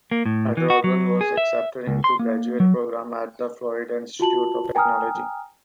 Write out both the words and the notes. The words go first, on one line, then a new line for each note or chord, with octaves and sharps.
Adragon was accepted into a graduate program at the Florida Institute of Technology.
A#3
A2
E3
F#4
F#3
G#4
E5
C#2
C6
A#3
F#3
F4 F#4 A5 F#7
G5 G#5 A#5 D#6 F6